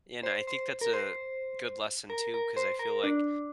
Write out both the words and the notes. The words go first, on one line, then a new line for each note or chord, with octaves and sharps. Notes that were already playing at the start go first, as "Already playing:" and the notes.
And, I think that's a, good lesson too 'cause I feel like,
C5
C5
A#4
C5
A#4
A#4
C5
A#4
D4